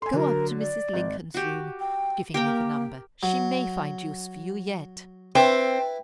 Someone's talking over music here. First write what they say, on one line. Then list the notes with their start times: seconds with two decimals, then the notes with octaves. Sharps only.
"Go up to Mrs. Lincoln's room"--giving me the number--"she may find use for you yet."
0.02 A4 G#5 C6
0.13 D3 F#3 A#4
0.60 D5
0.93 G#1
1.34 F#4 G4
1.80 G5
2.34 A#3 G4 A#4 G5
3.23 F#3
5.35 C4 E4 B4 D5